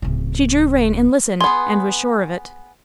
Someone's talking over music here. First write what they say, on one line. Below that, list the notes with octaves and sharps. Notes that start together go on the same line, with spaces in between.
She drew rein and listened, and was sure of it.
D1 C#3
B3 G#4 C6